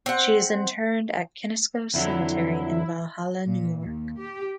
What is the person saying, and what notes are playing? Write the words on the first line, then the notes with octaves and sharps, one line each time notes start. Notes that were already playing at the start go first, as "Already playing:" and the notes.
She is interred in Kensico Cemetery in Valhalla, New York.
C4 F#5
F2 D3 F#3 E4
A#2
D#2
G4